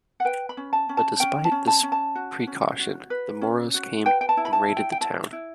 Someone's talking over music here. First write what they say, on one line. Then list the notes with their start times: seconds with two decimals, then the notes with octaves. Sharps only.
But despite this preacaution, the Moros came and raided the town.
0.20 F#5
0.25 B4 G5
0.49 B5
0.57 C#4
0.73 A5
0.89 C#4
0.97 A5
1.20 C#4 G5
1.45 A5
1.52 C#4
1.67 A5
1.83 C#4
1.92 A5
2.15 F#4
2.47 C#4
2.79 F#4
3.10 B4
3.41 C#4
3.74 F#4
4.06 B4 G5
4.21 G5
4.29 A5
4.37 E4
4.45 B5
4.53 A5
4.69 E4
4.77 G5
4.92 G5
5.01 E4 A5
5.33 E4